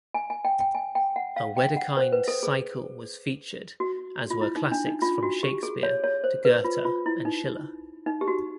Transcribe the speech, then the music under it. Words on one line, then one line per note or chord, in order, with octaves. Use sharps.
A Wedekind cycle was featured as were classics from Shakespeare to Goethe and Schiller.
G#5
G#5
G5
G5
G#5
G5
F#5
F5
G5
F#5
C5
B4
A4
G#4
F#4
F4
E4
D#4
D4
D#4
F4
F#4
G4
G#4
C#5
C#5
C5
B4
F4
F4
E4
D#4
D#4
G4
F#4